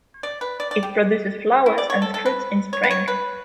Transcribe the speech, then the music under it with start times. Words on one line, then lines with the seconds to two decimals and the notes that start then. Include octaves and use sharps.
It produces flowers and fruits in spring.
0.23 D5
0.41 B4
0.60 D5
0.71 D5
0.83 G4
1.66 E4
1.78 D5
1.90 C#5
2.02 A4
2.14 A4
2.26 B4
2.73 C#5
2.83 B4
2.91 C#5
3.08 B4